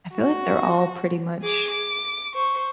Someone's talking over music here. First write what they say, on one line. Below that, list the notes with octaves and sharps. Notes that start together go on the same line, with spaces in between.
I feel like they're all pretty much
F#4
G#4 D6
D6
C5 C#6